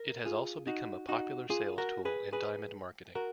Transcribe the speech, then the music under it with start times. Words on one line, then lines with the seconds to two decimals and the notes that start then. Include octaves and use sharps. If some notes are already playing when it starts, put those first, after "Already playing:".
It has also become a popular sales tool in diamond marketing.
Already playing: A#4
0.25 F4 G#4
0.67 D#4 F#4
1.09 D#4 F#4
1.50 F4 G#4
1.78 F#4 A#4
2.05 G#4 B4
2.33 G#4 B4
3.15 F#4 A#4